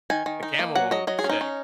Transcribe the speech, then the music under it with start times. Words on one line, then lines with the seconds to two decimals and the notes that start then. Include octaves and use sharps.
The camo one would be sick.
0.10 D#3 G#5
0.26 D#3
0.43 D#4
0.59 A#3
0.75 F#3 F#5
0.91 F#3 D#5
1.07 F#3 D#5
1.19 G#4
1.24 C#4
1.29 D#4
1.41 C#4